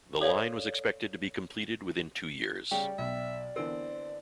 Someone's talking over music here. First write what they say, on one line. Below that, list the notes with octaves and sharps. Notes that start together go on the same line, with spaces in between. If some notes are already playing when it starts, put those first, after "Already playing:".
The line was expected to be completed within two years.
A4 C#5 D5 F5
C#3 G3 D5 G5
B1 E5
D3 E3 B3 C4 A#4